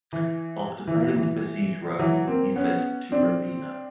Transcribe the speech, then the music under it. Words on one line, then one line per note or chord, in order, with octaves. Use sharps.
After failing to besiege Rome, he fled to Ravenna.
E3
E3
E3
E3 F#3
A#3 C4
B3 C#4
C4 D4